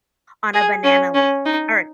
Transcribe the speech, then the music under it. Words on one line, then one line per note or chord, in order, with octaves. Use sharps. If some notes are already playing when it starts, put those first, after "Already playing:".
on a banana leaf or
G#4
C#4
C#4
D#4